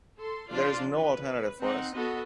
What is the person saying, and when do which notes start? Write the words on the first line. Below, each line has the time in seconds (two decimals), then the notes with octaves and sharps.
There is no alternative for us.
0.20 A4 C6
0.50 F3 D4 F4 D5 C6
0.92 B4
1.61 C4 D#4 F#5
1.94 B3 F#4 A4 D#5